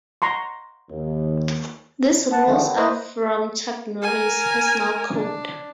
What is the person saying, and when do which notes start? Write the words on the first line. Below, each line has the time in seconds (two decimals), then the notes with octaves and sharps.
These rules are from Chuck Norris' personal code.
0.22 A#5 C6 C#6
0.90 D#2
2.32 F#5 A5
2.46 D3 D#3 F3 G#3 A3
2.63 B3 C4
2.77 E4 B4 C5 D#5
4.03 A#4 G#5
5.13 D4